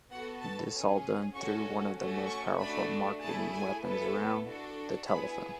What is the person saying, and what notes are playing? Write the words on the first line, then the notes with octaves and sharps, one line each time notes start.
This all done through one of the most powerful marketing weapons around, the telephone.
B3 F#4 A4 F#5
A5
C#4 G#4
C#4 F#4 A4 C#6
A3 C#4 F#4 A4
C#6
A3 D4 F#4 B5
A3 E4 G#4 A5
G#5
B3 E4 A4
D4 F#4 A4
B3 E4 G#4 B5